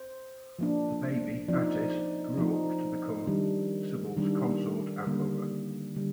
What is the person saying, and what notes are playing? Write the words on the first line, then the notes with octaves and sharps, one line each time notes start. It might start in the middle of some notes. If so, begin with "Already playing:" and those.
The baby, Attis, grew up to become Cybele's consort and lover.
Already playing: C5
F3 A#3 D4
F3 C4 D#4 D5
F3 C4 D#4
D#3 G3 D4
D#3 G3 D4
D3 G3 A#3
D3 G3